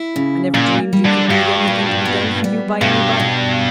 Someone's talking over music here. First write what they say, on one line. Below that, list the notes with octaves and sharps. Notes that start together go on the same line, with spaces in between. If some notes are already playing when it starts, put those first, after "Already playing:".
I never dreamed you could need anything to be done for you by anybody.
Already playing: E4
C#3
A#2 A#3
G3
D3
G2 F#4
A#2
B3
G3
G2 B2
B2